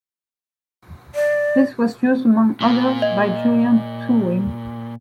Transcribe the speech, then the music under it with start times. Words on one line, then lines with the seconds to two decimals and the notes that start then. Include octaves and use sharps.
This was used among others by Julian Tuwim.
1.15 D5
2.61 A#2
3.02 D#5